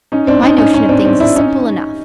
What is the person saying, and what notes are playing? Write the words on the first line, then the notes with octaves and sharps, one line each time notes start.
My notion of things is simple enough.
C#4 D#4
C4 D4
D4
C#4 D#4
C#4 D#4
C#4 D#4
C4 D4
C4 D4
D4 E4
C#4 D#4